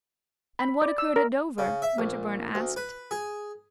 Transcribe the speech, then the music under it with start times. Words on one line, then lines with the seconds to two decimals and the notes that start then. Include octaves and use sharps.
"And what occurred at Dover?" Winterbourne asked.
0.59 B5
0.82 D5
0.98 E6
1.16 A#4
1.58 C#3
1.82 E5
1.98 A#1
2.55 D2
2.76 B4
3.11 G#4